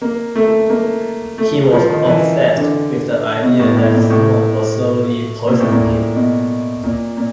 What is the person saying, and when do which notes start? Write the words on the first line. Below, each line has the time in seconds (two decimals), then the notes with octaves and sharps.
He was obsessed with the idea that someone was slowly poisoning him.
0.02 A#3
0.36 A3
0.70 A#3
1.38 A3
1.72 F3
1.90 D#3
2.06 E3
2.58 D3
3.42 B2
3.59 A2
3.77 A2
3.93 A#2
4.10 A2
5.47 A#2
5.60 A2
5.72 A#2
6.15 B2
6.83 A#2
7.17 A#2